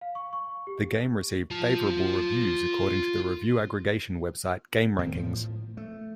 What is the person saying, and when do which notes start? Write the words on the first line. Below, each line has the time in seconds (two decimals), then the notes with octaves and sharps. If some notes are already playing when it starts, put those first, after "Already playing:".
The game received "favorable" reviews according to the review aggregation website GameRankings.
0.01 F5
0.15 C#6
0.33 C#6
0.67 G4
1.51 F4 A5
4.99 E2 D#3 A#3 C4
5.15 A2 F3
5.77 A3